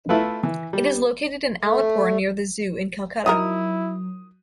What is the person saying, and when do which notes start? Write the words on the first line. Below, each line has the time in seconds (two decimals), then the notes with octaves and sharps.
It is located in Alipore, near the zoo, in Calcutta.
0.09 A3 E4 F4 A4 B4
0.43 E3
0.73 G3
1.62 A3
3.26 F3 F#3 D#4 E4 A#4 D#6